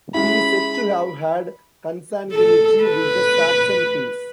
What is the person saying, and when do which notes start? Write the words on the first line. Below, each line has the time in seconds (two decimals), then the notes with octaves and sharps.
He is said to have had consanguinity with the Saxon kings.
0.14 G#3 C#4 E4 B5
2.32 A4
2.84 B4